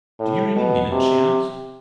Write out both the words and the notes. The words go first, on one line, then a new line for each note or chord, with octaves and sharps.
"Do you really mean it?" she asked.
A2
B2
C3